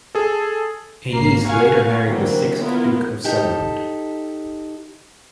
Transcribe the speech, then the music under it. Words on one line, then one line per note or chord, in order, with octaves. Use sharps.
A niece later married the sixth Duke of Sutherland.
G#4 A4
G#1 A#3 C#4 A#5 C7
A#4 F5 F#5 G#5 C#6
D3 E3 F#3 A#3 C4
B3 E4 F4 A#4
D#4 G4 A4